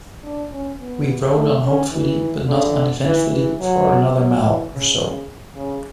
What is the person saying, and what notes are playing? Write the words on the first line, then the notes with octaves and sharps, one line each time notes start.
We rode on hopefully but uneventfully for another mile or so.
D4
C#4
B3
A3
C#4
E3
D3
E3
E3
F#3
F#3
E3
C#3
C#3
C#3